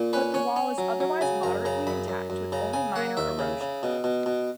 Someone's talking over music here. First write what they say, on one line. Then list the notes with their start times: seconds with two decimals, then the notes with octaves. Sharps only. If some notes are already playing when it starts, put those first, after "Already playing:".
But the wall is otherwise moderately intact with only minor erosion.
Already playing: A#2
0.13 C#4 B4
0.34 C#4 C#5
0.56 C#4
0.78 F#3
1.00 F#3
1.21 C#3 G#5
1.43 F#2 A#5
1.65 C#3 A#5
1.87 F#2 B5
2.08 F#2
2.30 F#2
2.52 C#3 A#5
2.73 C#3 G#5
2.96 A#3 F#5
3.17 D#2 E5
3.39 C#3
3.61 C#3
3.83 B2
4.04 B2
4.26 B2